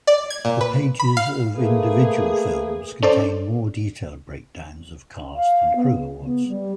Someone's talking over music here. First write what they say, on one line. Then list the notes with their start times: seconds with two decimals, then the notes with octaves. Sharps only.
The pages of individual films contain more detailed breakdowns of cast and crew awards.
0.07 D5
0.30 G#6
0.45 A#2
0.61 B4
1.00 B5
1.17 F5
1.56 A3 A#3 G#4 B4
3.03 C#4 A4 C5 D5
5.35 F5
5.75 B3
5.95 C#3
6.25 B3
6.48 G3